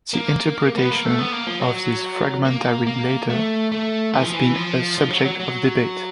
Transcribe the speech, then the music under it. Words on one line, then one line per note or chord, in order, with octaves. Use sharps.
The interpretation of this fragmentary letter has been a subject of debate.
A#3
B3
A#3
A3
B3
A#3
F3
F#3
A#3
A#3
A3
A3
E3
F3
E3
F3
F3
F#3
F#3
F#3